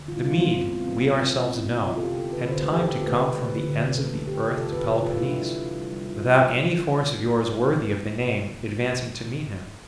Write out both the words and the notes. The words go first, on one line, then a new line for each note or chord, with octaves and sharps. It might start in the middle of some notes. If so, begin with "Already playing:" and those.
The Mede, we ourselves know, had time to come from the ends of the earth to Peloponnese, without any force of yours worthy of the name advancing to meet him.
Already playing: D3
G3 F4
E4
G3 F4
A3 C4
A3
B2 B3
B2 C4
B2 B3
B2 C4
B2
B2
A3 E4
C3
C3 F4
A4
C3 G4
D3 A4
D3 B4
D3 C5
A3 B4
G4
B2 A4
B2
A3 B4
A3
A3
D3
D3
D3
B2 A4
A3
B2 G4
B2 F4
C3 A4
C3 B4
C3 A4
F3 F4
B2 E4
D4
G3 E4
B2
B2
G3
G3
B2 F4